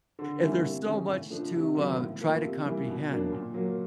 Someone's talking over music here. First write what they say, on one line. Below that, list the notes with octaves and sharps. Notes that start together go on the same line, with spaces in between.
And there's so much to, uh, try to comprehend.
D3
G3 A#3 C#4 E4
C3
D#3 G#3 C#4
A2
F3 A3 D4
C3
D#3 F#3 B3
A2
F3 A#3
C3
E3 G3 A#3
B2
F#3 A#3 D4
A#2
F#3 A#3